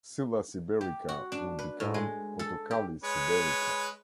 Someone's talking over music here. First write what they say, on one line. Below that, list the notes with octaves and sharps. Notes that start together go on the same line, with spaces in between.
"Scilla siberica" would become "Othocallis siberica".
G4
F#4
D4
B4
A2
G#3
A4
G4
G#3 B4 C#5